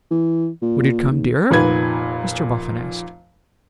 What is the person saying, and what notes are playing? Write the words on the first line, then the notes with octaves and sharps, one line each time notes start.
'Would it come dearer?' Mr Boffin asked.
E3
A#2
D#2
F1 A#2 D#3 B4 B5 G#6